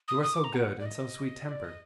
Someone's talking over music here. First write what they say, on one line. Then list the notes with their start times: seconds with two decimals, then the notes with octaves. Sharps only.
You are so good, and so sweet-tempered.
0.08 D#6
0.23 D#6
0.34 D6
0.44 A#5
0.54 F#5
0.79 D5
0.86 D#5
1.49 D5
1.64 D#5